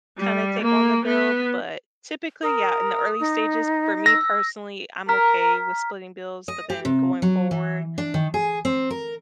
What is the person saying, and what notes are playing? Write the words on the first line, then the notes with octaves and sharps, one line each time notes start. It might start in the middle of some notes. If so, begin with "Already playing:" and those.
kinda take on the bill, but typically, yeah, in the early stages, for me personally, I'm okay with splitting bills, but then going forward,
G3
A#3
B3
A#4 D#6
D#4
E6 A#6
A#4 A#5 F6 B6
D#5
G4
C3
F#3
E3
D4
D#3
G#4
C4
A#4